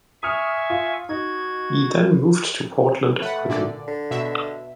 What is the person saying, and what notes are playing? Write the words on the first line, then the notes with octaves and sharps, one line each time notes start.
He then moved to Portland, Oregon.
E5 G#5 C#6 D#6 F6
F4
D#4 F#4 G#6
A3 B4 F#5
A#2 D3 D5
D3
B2 E5